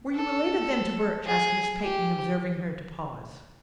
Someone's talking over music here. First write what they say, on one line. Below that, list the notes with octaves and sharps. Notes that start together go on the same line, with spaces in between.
"Were you related, then, to Birch?" asked Miss Peyton, observing her to pause.
A4
G#4
G4